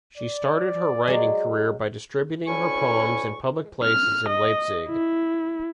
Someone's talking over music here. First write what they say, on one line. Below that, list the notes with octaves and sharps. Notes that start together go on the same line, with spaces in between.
She started her writing career by distributing her poems in public places in Leipzig.
D5
F#3 G#3
D2 C#4 E4 G#5 C#6
F6
D#5
E4